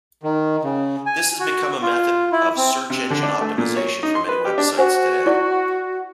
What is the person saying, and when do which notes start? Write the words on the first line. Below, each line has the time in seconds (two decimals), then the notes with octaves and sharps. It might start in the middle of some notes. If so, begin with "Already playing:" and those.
This has become a method of search engine optimization for many websites today.
0.23 D#3
0.63 C#3
1.06 G#5
1.40 F#4
1.82 F4
2.32 E4
2.57 C4
2.90 C3
3.10 D3
3.23 D4
3.41 A3
3.58 A#2
3.76 C#5
4.03 D#4
4.15 C6
4.29 B4
4.45 G4
4.58 D4
4.78 F#4 C5 G#5
5.26 E4 D5 C#6